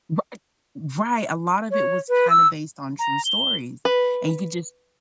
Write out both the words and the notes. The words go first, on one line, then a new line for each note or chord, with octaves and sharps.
Righ Right, a lot of it was kind of based on true stories and you could just
C#5
B4
E6
A#5
G7
B4